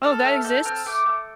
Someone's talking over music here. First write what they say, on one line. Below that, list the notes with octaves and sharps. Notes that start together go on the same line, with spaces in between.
Oh, that exists?
A4 F6
A3 F6
A4 G6
C4 F6
A3 D6
A3